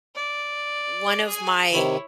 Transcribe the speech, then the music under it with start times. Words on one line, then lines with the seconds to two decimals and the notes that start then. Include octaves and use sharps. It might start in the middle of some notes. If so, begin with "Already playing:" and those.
one of my
0.15 D5
1.28 G#4 G#5
1.73 C3 D#3 E4 C#5